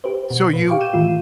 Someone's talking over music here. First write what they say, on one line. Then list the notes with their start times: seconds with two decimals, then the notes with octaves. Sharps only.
So, you,
0.04 G4 B4 C5
0.30 B2
0.53 A#2 B4
0.68 G4 F5 G5 C#6 D6
0.81 G6 D#7 E7
0.93 A2 D#3 E3 A3 F4